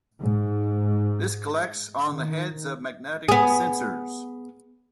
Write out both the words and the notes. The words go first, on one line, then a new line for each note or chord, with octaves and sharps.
This collects on the heads of magnetic sensors.
G#2
D#3
B3 G#4